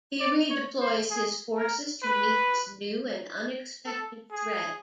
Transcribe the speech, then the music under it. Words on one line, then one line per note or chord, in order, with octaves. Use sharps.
He redeploys his forces to meet this new and unexpected threat.
D5
C#5
C5
G#4
A#4
B4
A4
G#4